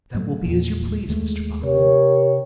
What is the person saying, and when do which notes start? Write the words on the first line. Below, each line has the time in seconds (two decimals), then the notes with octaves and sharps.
'That will be as you please, Mr Boffin.
0.14 A2 F#3 A3
0.45 E2 A#2
1.09 D#2 G#3 A3
1.63 C3 G4 A#4 C#5